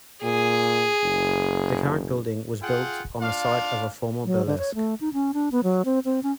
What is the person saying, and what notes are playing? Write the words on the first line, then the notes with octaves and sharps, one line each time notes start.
The current building was built on the site of a former burlesque.
A#2 G#4
F#1
F4 G#4 F#5 G5
D4 F4 F5
F#3
D3
C#5
A3
D#4
C#4
D4
B3
F#3
C4
C4
C#4